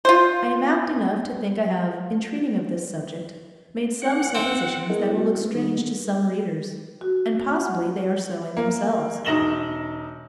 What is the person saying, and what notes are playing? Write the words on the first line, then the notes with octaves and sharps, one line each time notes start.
I am apt enough to think I have, in treating of this subject, made some suppositions that will look strange to some readers, and possibly they are so in themselves.
F4 C5
F#5
C4
B3 E4 G#4 A#4 D#5
G3 F#4
G#3 A3 B3
D#3 G3 D#4
F#4
F#5
A#3
E1 D#4 A#6 E7 F#7 G7